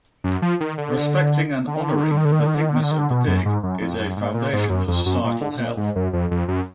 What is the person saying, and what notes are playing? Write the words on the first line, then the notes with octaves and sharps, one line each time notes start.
Respecting and honoring the pigness of the pig is a foundation for societal health.
F#2
F3
D#3
D3
D3
D#3
D3
D#3
D3
D#3
D3
D#3
D3
D#3
D3
D#3
D3
D#3
D3
D#3
D3
D#3
D3
B2
F#2
G#2
F#2
F2
F#2
G#2
A#2
G#2
F#2
F2
F#2
A#2
D3
A#2
G#2
F#2
F2
F2
F#2